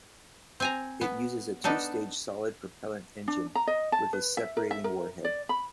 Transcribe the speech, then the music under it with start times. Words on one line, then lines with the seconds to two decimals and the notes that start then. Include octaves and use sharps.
It uses a two-stage solid propellant engine with a separating warhead.
0.60 C4 G#5 A#5
1.01 B3
1.64 B3 D4 D#4 A4
3.28 D4
3.55 A#5
3.67 D#5
3.92 A5
4.13 B4
4.37 E5
4.57 A#4
4.71 E5
4.84 A#4
5.25 D5
5.49 B5